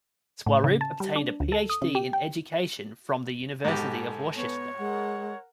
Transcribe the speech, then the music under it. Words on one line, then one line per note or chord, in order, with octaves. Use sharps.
Swaroop obtained a Ph.D. in Education from the University of Worcester.
A2
C#3
A5
G3
D4
D2
A4
D#6
C#3
G4
G5
G#2 B2 G4 A4 G#5
B3 C#5
G#3 A#4 F#5